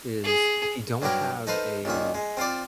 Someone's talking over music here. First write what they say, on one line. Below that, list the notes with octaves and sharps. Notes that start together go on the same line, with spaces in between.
is, if you don't have a
G#4
G2 F#3 E4 G4 A#4 G5
D#4 A4 B4 C5 F5
C#2 A#2 D#3 E5
G#3
C4 F4 C5 D5